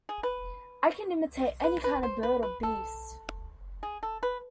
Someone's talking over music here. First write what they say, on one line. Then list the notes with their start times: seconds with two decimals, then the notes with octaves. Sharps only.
I can imitate any kind of a bird or beast.
0.09 G#4
0.23 B4
1.64 B4
1.84 B4
2.03 C5
2.23 B4
2.43 B4
2.63 A4
3.83 G#4
4.03 A4
4.23 B4